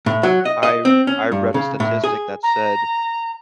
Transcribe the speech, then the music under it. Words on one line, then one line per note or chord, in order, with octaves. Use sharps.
I re I read a statistic that said
A2
F#3
D#5
D#5
C4
C#4
G2
C#3
A2
G#4
A#5